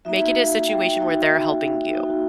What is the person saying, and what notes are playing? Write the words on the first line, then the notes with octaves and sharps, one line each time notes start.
make it a situation where they're helping you.
A#3 D#4 F#4 E5
F5
G5
A#3 D#4 F#4
A#3 D#4 F#4